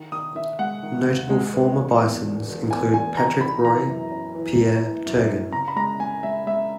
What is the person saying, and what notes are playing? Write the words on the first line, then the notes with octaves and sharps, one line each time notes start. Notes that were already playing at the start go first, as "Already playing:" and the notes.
Notable former Bisons include Patrick Roy, Pierre Turgeon.
Already playing: D#3
D#3 D#6
D#3 E5
G#3 F#5
D#3
D#2
G#3
B3
E1
E2
E1
E1
E2 G#5
E1 G#5
D#3 A#5
D#3 B5
E3 A#5
F#2
C#4
E3
E3
E3
F#2
C#4
C#3 A#5
B5
G#3 A#5
G#3 G#5
G#3 E5
G#3 E5